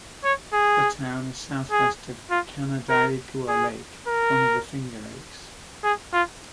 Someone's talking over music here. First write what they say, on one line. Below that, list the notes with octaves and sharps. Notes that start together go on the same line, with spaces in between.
The town is southwest of Canandaigua Lake, one of the Finger Lakes.
C#5
G#4
G#4
F4
A#4
G#4
A#4
G#4
F4